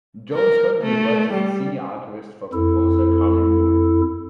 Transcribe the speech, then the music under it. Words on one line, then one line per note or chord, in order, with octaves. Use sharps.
Jones currently works as the senior archivist for composer Carman Moore.
A#4
A3
G3
F2 E4 A4